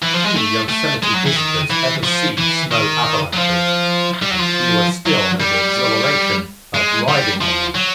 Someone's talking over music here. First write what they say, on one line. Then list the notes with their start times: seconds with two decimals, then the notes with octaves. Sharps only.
Few Yosemite visitors ever see snow avalanches and fewer still know the exhilaration of riding on them.
0.03 E3
0.14 F3
0.24 G#3
0.36 A3
0.69 A3
1.03 G#3
1.14 F#3
1.26 E3
1.36 D#3
1.70 E3
2.04 F3
2.38 E3
2.71 D#3
3.34 F#3
3.38 F3
4.22 G3
4.30 F#3
4.39 F3
5.06 F#3
5.40 G3
6.74 G#3
7.08 G3
7.41 F3
7.75 F#3